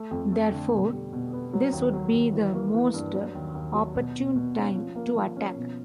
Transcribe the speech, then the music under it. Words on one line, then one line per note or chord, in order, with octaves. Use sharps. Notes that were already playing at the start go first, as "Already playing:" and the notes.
Therefore, this would be the most opportune time to attack.
Already playing: A3
F2
A3
D3
B2
G3
B2
B3
F#3
D#2
F#3
D#2
E3
A#3
E3
G2
F#3
D#2
D#2
F#3
B2
B2
B2
C#4
F3
A#3
F3
C#4
B2